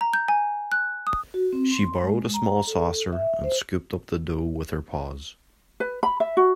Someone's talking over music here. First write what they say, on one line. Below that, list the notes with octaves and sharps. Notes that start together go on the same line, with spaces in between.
She borrowed a small saucer, and scooped up the dough with her paws.
A#5
G6
G#5
F#6
D#6
F#4
C4
C6
G#3
A#5
A4
E5
C5
B4
B5
E5
F#4